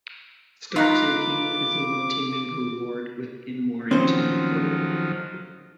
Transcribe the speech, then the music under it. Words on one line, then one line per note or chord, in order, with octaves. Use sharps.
Stockton Heath is a multi-member ward within Warrington borough.
D#4 F4 B4 A#5 D6
D#3 F3 F#3 C4 C#4 C5